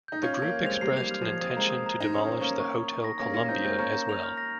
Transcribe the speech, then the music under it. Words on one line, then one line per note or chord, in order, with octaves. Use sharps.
The group expressed an intention to demolish the Hotel Columbia as well.
D#4 G6
C#4 F4 G#6
A#3 C#4 G#6
G#6
G#3 C4 F7
G3 A#3 C7
G3 F7
F6
F3
G#6
C4 D#6
A#3
G#3 C4 A#5
D#6
A#5
D#4 A#5
C#4 D#6
C4 A#5
A#3 C#4 A#5
C#6
C#6
C#6
A#6
A#3 C#4 A#6
C#4 F4 A#6
C4 D#4 G6
G#3 C4 G6
A#3 C#4 A#5
A#5
F7
F6
A#6